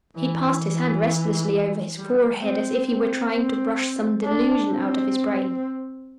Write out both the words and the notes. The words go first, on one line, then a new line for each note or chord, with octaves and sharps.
He passed his hand restlessly over his forehead, as if he were trying to brush some delusion out of his brain.
E3
E3
G3
C4
C4
C4
D4
C4